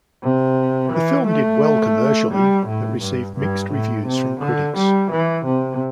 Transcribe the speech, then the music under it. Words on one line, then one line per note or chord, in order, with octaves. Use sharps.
The film did well commercially, but received mixed reviews from critics.
C3
E3
A3
G3
A2
G2
G2
A2
C3
D3
G3
E3
C3